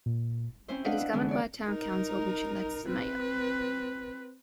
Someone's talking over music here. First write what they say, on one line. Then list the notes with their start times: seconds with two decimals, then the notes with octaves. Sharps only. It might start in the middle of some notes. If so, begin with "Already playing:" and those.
It is governed by a town council, which elects the mayor.
0.06 A#2
0.68 C4 C#4 E4 C5
0.84 D4 E4 B4 D#5 F5 F#5
0.98 E4
1.12 D3 E3 G#3 B3 C#4 D4
1.29 C#5 D5
1.67 D#4 A#4
2.87 C4 B4